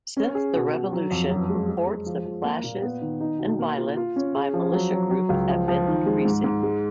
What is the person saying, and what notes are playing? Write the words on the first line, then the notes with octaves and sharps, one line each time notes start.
Since the revolution, reports of clashes and violence by militia groups have been increasing.
C#4
G#4
B2
B2
F#3
F2
F#2
G#3
G#3
G#3
F3
F3
A#3
A#2
B3
D#3
D#4
B2
A#3
F4
F4
C#4
G#4
F3
F#3
F#3
F#3
C#2
F3
F3
D#3
G#3
G#2
G#2
G#3